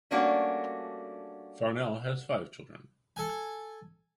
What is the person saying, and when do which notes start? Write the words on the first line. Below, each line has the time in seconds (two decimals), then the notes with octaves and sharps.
Farnell has five children.
0.11 G3 A3 A#3 C#4 D4 F#4
3.16 A4 G#5